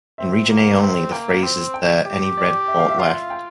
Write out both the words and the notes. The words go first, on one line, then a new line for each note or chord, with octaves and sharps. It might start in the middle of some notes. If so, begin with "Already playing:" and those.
In Region A only, the phrase Is there any red port left?
C4 E5
A#3
C4
A#3 G5
C4
G5
G4
D5
E5
F5
E5
F4 F5
G5